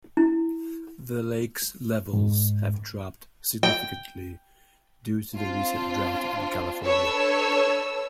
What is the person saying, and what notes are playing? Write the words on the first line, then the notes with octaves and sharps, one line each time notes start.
The Lakes levels have dropped significantly due to the recent drought in California.
E4
G#2
G5
C4 D4 F4
D4 A4 B4 C#5 E6